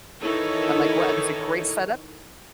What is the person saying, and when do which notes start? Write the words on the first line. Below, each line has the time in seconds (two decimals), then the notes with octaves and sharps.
I'm like, "What this is a great setup."
0.21 D#3 E3 D#4 E4 A4 C#5